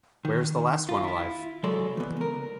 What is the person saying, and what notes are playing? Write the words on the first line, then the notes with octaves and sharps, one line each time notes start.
Where’s the last one alive?
D#3
F4
E4 F4
C2 F#3 G#3 A4 D5 C6
E3 B3
C#2 A#4